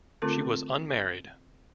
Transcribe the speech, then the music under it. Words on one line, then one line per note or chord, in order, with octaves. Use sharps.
She was unmarried.
D3 A3 C4 F4 A4 A#4